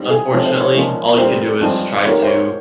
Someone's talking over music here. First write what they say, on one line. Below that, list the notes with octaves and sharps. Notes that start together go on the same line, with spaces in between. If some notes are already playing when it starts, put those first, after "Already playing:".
unfortunately. All you can do is try to
Already playing: G#2 G3 C4
G#4
C3 F3 G#3 C4 C#5
C5
C#5
A#2 F3 G#3 C#4
A#2 G3 C4 C5
G2 F3 G#3 C4
G#2 G3 A#3 C#5
C5
C#5